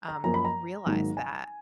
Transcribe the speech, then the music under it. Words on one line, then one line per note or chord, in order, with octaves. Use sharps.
um, realized that.
A#5
F#2 F3 A#3 A#5
B5
A#5
G#1 G#2 F#3 A#3
G#5